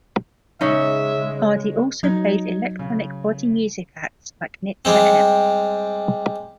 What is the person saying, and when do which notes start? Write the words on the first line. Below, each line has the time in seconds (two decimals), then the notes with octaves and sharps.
Hardy also played electronic body music acts like Nitzer Ebb.
0.61 C#3 G#3 C#4 D#4 E5
2.03 F#3 D#4 G#6
2.79 C#3
4.85 G3 G#3 C4